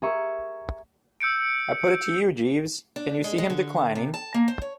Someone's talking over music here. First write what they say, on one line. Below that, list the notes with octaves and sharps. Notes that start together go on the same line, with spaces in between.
I put it to you, Jeeves, can you see him declining?
G#4 A#4 E5 C#6
E6 G6 C#7 D7
D4
G#3
G#3
D3
C3
A5
A#3
C5
C#5